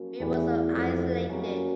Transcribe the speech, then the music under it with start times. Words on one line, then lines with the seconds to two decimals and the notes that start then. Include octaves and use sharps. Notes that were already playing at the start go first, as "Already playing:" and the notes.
We were so isolated.
Already playing: F#2 C#3 F3 A#3
0.20 E2 A2 E3 G3
0.75 F2
1.29 F#2 C#3 F#3 A#3